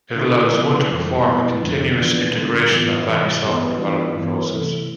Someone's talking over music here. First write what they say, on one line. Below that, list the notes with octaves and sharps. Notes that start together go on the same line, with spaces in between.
It allows one to perform a continuous integration of any software development process.
D3 A3 E4
C3 F3 B3 E4
F2 E3 G3 C4
B2 B3 E4
F2 D3 F3
E3 B3 D4 F4
D3 G3 B3 F4
A2 E3 B3 F4
C3 E3 G3
G2 E3 G3 B3
E3 B3 D4 F4
G2 E3 B3
C3 E3 A3